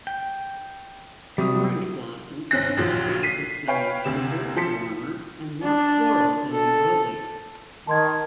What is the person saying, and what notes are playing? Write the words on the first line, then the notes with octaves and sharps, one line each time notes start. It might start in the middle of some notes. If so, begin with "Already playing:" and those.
Orange blossom can be described as smelling sweeter, warmer and more floral than neroli.
G5
C3 F#3 G3 D#6
G1 C4 C#4 F#6 A#6
A1 D#2 A#2 F3 F#3
B6 C7 D#7
B4 C#5 F5 G5
D2 C3 E7
F3 A5 C6 B6 C#7
D4
A4
D#3 A5 C6 G#6